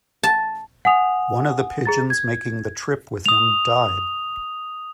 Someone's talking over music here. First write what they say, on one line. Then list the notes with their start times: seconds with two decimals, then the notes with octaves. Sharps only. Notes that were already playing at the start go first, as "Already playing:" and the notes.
One of the pigeons making the trip with him died.
0.23 A5
0.85 F#5 G#5 D#6 F7
1.85 G#4 A#5 A6
2.10 G#6
3.26 D#6 F7